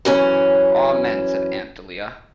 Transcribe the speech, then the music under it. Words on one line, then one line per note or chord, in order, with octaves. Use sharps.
"Amen," said Aunt Dahlia.
F#2 E3 C#4